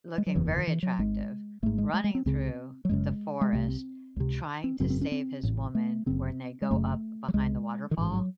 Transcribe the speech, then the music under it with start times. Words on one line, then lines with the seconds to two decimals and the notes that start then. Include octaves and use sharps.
looking very attractive, running through the forest, trying to save his woman when they go up behind the waterfall,
0.18 G#3
0.26 F#3
0.35 F#1 E2 C#3 E3
0.45 D#3
0.57 D#3
0.67 E3
0.83 F#3
0.99 G#1 G#2 G#3
1.62 G#1 G#2 A3
1.78 G#3
1.94 G#3
2.04 G#3
2.15 C4
2.26 C#2 C#3 C4
2.85 F#3
2.89 F#1 F#2 C#3 G#3
3.41 G#3
3.53 C2 C3 A3
3.68 C4
4.16 C#2 C3
4.64 C4
4.80 G#1 F#2 C#3 C4
4.90 C4
5.01 C#4
5.12 C4
5.43 A1 A2
5.75 A3
6.06 F#1 F#2 C#3 C4
6.62 G#3
6.71 F#1 F#2 C#3 A3
7.28 F#3
7.34 C#2 C#3 G#3
7.91 D#3
7.97 A1 G#2 E3
8.14 F#3